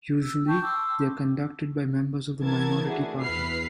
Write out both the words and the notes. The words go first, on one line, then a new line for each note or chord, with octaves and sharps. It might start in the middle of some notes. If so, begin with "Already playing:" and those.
Usually, they are conducted by members of the minority party.
E6
G5 A5 C#6 G6
A5 C6 D6 E6
E3 B3 A#4 A5 G#6
A3 D4 E4 F#4 G#4
E2 E4 B4 B5 F6 C7